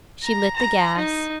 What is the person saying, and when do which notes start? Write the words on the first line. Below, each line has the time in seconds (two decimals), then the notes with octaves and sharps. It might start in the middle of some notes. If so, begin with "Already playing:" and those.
She lit the gas.
0.24 A#5
0.56 A#5
0.98 D#4